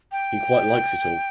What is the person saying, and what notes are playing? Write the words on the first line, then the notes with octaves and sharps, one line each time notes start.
He quite likes it all.
G5